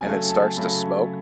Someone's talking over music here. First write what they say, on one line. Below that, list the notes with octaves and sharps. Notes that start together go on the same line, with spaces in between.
and it starts to smoke,
C#3 F#3 A3 G#5
A5
C#3 F#3 A3 B5